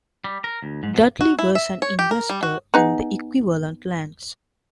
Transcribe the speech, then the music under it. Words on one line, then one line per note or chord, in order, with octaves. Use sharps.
Dudley was an investor in the Equivalent Lands.
G3
A#4
D2
G#2
B2
F#4
E4
E5
C#5
G4
A#4
G3
F#4
B3 D#4 G#4